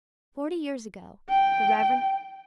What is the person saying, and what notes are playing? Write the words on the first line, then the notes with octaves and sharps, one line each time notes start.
Forty years ago, the Rev.
G5